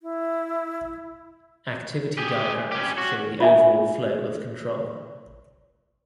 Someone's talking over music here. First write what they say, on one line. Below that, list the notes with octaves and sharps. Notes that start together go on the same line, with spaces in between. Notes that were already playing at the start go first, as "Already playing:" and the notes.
Activity diagrams show the overall flow of control.
E4
G4 G#4
C#4 G4
F#4
F4 E5 G#5